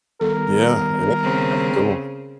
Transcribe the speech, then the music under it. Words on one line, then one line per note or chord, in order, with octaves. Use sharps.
Yeah, that's that's cool.
D#3 G3 B3 A4 A#4
C#3 C4